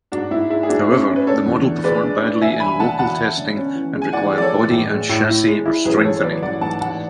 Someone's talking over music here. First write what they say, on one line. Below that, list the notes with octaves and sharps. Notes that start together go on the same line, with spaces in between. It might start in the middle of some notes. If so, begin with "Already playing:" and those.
However, the model performed badly in local testing, and required body and chassis strengthening.
G#2 D4 F#4
G#2 E4
G#3 E4
G#4
G#2 D4 F#4
C#4
C#4
B4
D4 A4 C#5
E2
D3
G#3 B4 D5
D4
D4
E1 E5 G#5
E1 G#5 B5
D3 F#5 A5
E1 F#5 A5
E1
D3
C#4
E3
G#3
G#5
E3 D5 F#5
G#3 D5
A4 C#5
E3
A2
G#3
A2
E4
G#3
E4
A1 G#4 B4
A1 A4 C#5
C#5
F#3 B4 D5
A1 D5 F#5
G#2 F#5 A5
A1 F#5 A5